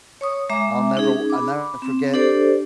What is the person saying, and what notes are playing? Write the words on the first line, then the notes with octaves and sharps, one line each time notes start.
I'll never w I'll never forget
C#5 C#6 D#6
G#3 E5 A#5 D6
C#4 D#4 G#4
B5 D6
C4
D4 G4 A4 C5 D5